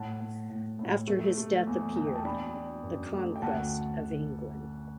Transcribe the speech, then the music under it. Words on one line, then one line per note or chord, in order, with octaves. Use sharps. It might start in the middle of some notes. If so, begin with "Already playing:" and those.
After his death appeared "The Conquest of England".
Already playing: A2 F#5 A5
A2
A2
A2
A3
A3
E2
E2
G5
A5
D4 G5 B5
D4
F#2
A3
G5
D2 F#5 A5